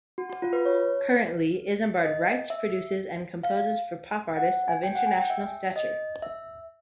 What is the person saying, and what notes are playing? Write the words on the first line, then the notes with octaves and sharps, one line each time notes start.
Currently, Izambard writes, produces and composes for pop artists of international stature.
F#4
F#4
F4
B4
C#5
D#5
E5
F5
F#5
G#5
G5
F#5
G#5
G5
E5
D#5
E5